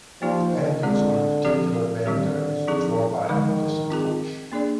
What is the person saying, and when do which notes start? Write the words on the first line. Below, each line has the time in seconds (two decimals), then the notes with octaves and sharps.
Dependence on a particular vendor is the drawback of this approach.
0.22 F3 A#3 D#4 G4 D5
0.53 D#3
0.83 D3 G#3 C4 F4 G#4 D5
1.45 F3 C4 G4 D5
2.06 D3 D#3 G3 C4 G4
2.68 F3 C4 D#4 G#4
3.29 D3 D#3 F3 G#3 D#4 A#4
3.90 C4 F4 G#4
4.52 A#3 D4 G#4 D5